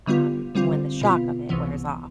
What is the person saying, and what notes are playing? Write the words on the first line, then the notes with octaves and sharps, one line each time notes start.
um, when the shock of it wears off
D3 G3 B3 F4
D3 G3 C4 F4
B2 B3 F4
C2 C3 E3 B3